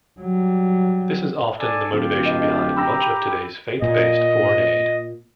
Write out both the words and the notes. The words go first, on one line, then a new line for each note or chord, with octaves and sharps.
This is often the motivation behind much of today's faith-based foreign aid.
F#3 G3
A4 D5 G#5 A5
D1 F4 G4 A5
A3 B4 D#5
G5 A#5 B5 E6 A#6
A#2 D#5